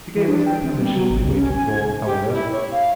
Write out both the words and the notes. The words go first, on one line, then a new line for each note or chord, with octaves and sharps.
She gave us the permission we waited for, however.
E3
D4
G5
C4
G3
F#3
G#1
C#2
C#4
G#5
G#6
C#2
G4
E4
C#5
F5